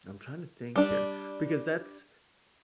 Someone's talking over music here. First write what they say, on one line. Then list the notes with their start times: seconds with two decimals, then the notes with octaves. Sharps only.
I'm trying to think here, because that's
0.76 G3 D4